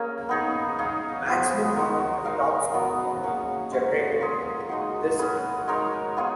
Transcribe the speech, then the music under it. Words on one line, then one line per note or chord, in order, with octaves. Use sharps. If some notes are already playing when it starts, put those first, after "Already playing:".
The maximum amount of topspin can be generated with this grip.
Already playing: A#3 C#4 G#4 A#4
B3 D#4 G#4 C#5
D#4 G#4 C#5 F5
F3 B3 F#4
G#3 D#4 F#4 A#4
D#4 A#4 F5
F#3 B3 F#4
A#3 C#4 G#4 C#5
G#3 C#4 F#4 C#5
A#3 F4 G#4
G#3 D#4 F#4
C#4 G#4 B4
G#3 D#4 A#4 C#5
B3 F4 G#4 C#5